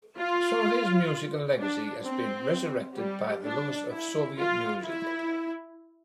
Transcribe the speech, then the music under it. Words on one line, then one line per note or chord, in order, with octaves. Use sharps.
Some of his musical legacy has been resurrected by the lovers of Soviet music.
F4
D4
C4
G3
D4
E4
F4
E4